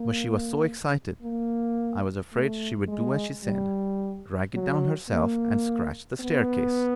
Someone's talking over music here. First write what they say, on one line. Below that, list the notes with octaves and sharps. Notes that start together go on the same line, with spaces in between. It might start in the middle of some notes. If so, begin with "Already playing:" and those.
"But she was so excited, I was afraid she would do as she said--drag it down herself, and scratch the staircase."
Already playing: A#3
A#3
A3
G#3
G3
F#3
A#3
B3